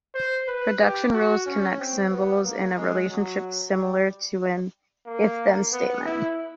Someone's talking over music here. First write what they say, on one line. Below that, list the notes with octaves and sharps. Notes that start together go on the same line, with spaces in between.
Production rules connect symbols in a relationship similar to an If-Then statement.
C5
B4
G4
F#4
C#4
C4
B3
A#3
G#3
F#3
G3
A#3
B3
E4